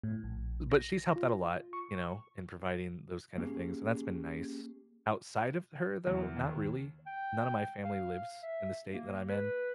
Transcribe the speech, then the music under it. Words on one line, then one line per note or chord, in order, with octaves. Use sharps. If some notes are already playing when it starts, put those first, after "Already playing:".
but she's helped out a lot, you know, in providing those kinda things, and that's been nice. Outside of her, though, not really. None of my family lives in the state that I'm in,
A2
A#1
A#6
F4
C#6
A#3 C#4 G4 G#4
E2
D#2
G5
F5
E5
A#3
B4